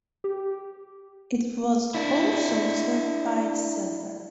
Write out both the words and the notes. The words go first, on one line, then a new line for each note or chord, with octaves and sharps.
It was also certified Silver.
G4
D4 E4